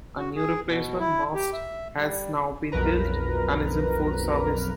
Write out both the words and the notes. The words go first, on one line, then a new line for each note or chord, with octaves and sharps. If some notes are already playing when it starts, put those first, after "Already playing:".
A new replacement mast has now been built and is in full service.
F#4
G#4
B2
E4
G4
E5
G3
B1 F2 A#4 B4 A#5